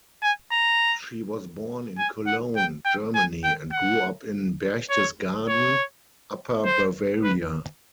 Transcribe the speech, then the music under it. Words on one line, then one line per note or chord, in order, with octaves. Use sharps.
She was born in Cologne, Germany, and grew up in Berchtesgaden, Upper Bavaria.
G#5
A#5
G#5
F#5
G5
G5
G#5
G5
F#5
C#5
C#5
C5
B4